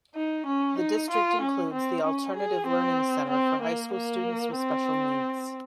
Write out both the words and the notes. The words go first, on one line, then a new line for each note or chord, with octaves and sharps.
The district includes the Alternative Learning Center for high school students with special needs.
D#4
C#4
D#4
F4
C#4
C4
C#4
G#4
C4
C4
A#3
A#3
C4